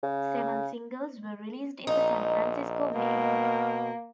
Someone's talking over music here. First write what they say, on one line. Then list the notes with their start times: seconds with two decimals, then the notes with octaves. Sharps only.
Seven singles were released in the San Francisco Bay area.
0.03 C#3
1.87 A#1 D#4
2.95 B2 A#3